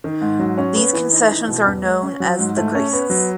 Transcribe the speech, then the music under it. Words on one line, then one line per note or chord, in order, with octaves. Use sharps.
These concessions are known as the Graces.
D#3
G#2
F#3
C#4
B3
E3
D#4
E3
B2
E2
G#3
C#4
F#3
G#2
A3
C#4
B3
F#3